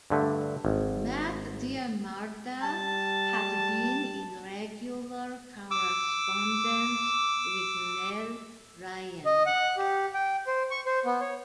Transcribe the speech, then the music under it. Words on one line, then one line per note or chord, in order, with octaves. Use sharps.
Mac Diarmada had been in regular correspondence with Nell Ryan.
G2 D3 A3
G#1
G3 A5
D6 E6
D#5
F#5
G4
G5
C5
C#6
C5
B3
C#5